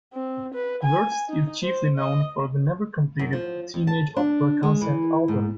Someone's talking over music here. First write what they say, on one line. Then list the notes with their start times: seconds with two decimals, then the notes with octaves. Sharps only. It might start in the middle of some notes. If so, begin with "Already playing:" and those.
Wirtz is chiefly known for the never-completed "A Teenage Opera" concept album.
0.13 C4
0.54 B4
0.83 G#5
1.29 D#4
1.63 C5
1.98 D#5
3.19 F#2
3.33 F3
3.74 F2
3.87 A5
4.17 D4
4.63 G#3
4.81 E3
5.28 G#2